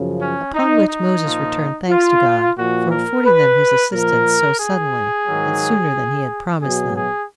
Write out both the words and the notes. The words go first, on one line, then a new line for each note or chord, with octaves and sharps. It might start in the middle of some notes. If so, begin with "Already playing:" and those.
Upon which Moses returned thanks to God for affording them his assistance so suddenly, and sooner than he had promised them.
Already playing: F#2 C#3 F3
C#4
D#4
D#4
A#2 F3
F4
A#2 F3 F#4
A#4
B4
A#2 F3 A#4
G#4
G#2 D#3 F#3
B2 F#3 G#4
G#4